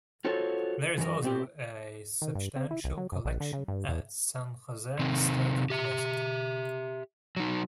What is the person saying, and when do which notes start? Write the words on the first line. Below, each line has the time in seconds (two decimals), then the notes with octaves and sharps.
There is also a substantial collection at San Jose State University.
0.25 F4 F#4 A4 C5 C#5
0.98 F#2 E3 A#4
1.22 B2 C4 G4
2.22 D#3
2.35 G2
2.56 C4
2.71 E4
2.84 C2
2.98 F#3
3.12 F#2
3.25 A#1
3.40 D3
3.53 C#3
3.68 G2
3.88 E2
4.99 C3 D#3 C4
5.70 G4 E5
7.37 F#3 D#4